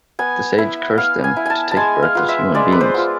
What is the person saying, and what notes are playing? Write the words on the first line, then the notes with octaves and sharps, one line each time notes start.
The sage cursed them to take birth as human beings.
B3 G#5
E4
B3 F5
G#5
E4
G#5 A5
A5
G#3 G#5
F5
B3 F4
E5
G#3 D5
B4
C5
B3 F4